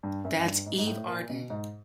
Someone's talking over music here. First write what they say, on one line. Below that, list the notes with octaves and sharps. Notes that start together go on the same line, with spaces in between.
That's Eve Arden.
G2
F#2
G2
G#2
G#2
A2
A#2
B2
G#2